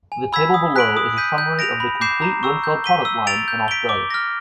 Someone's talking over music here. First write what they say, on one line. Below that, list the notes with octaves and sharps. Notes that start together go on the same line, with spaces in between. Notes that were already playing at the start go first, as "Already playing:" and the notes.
The table below is a summary of the complete Winfield product line in Australia.
G#5
B5 E6 G#6 B6
D#6
F#6 B6 D7 F#7
D#6
G6 B6 D#7
G6
A#6 D7 F7
B5
D6 G6 C7 E7
A#5
C#6 E6
G6
B6 D#7 G7
E6
A6 D7 F7
G6
B6 D7 G7
D6
F6 A#6